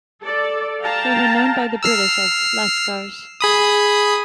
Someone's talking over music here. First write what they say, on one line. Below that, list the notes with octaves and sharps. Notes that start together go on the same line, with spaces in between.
They were known by the British as "lascars".
A4 D5
F5 G5 A5 A#5
E6 F6 C7
G#4 B5 D#6